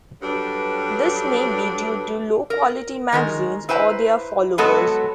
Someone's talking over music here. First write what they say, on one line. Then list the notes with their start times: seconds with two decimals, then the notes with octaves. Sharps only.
This may be due to low quality magazines, or their followers.
0.21 G2 F#3 D4 A4 B4
2.50 A#4
3.12 D#3 G#3 A#4
3.69 E4 B4 C5 G#5 A#5
4.58 F#3 G#3 B3 F#4 A4 B4